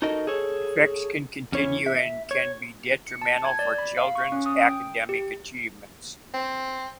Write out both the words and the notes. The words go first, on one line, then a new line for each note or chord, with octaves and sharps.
Effects can continue and can be detrimental for children's academic achievements.
D#4 F#4 A4 A#4 D#5
G#4 A4 C#5
E2 C#4 E4 C#5
E5
C#5
C#7
A5
G#6
D5
B5
F5
C#6
C#4
D#6
G5
G4
C4